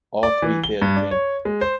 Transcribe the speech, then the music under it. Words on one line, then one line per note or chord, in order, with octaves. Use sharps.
All three failed the king.
D5
E3
G7
G2
D4
C#5
G#3
C5